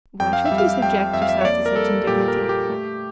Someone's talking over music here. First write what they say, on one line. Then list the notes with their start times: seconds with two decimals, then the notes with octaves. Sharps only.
"Why should you subject yourself to such indignity?"
0.20 F2 G5
0.33 F5
0.46 E5
0.51 G3
0.58 F5
0.82 F2 G5
1.13 F2 E5
1.22 F5
1.29 E5
1.41 C#5
1.45 A#3 D5
1.66 A#4
1.76 G3 A4
2.07 A#2 G4
2.28 A#4
2.39 A#2
2.49 G4
2.69 A3